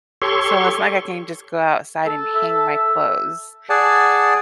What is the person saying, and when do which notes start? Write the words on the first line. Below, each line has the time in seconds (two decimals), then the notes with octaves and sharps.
so it's not like I can just go outside and hang my clothes,
0.22 G4 A4 C#5 C6 C#6
2.07 A4
2.35 E5
3.69 G#4 D5 F#5 G#5 A5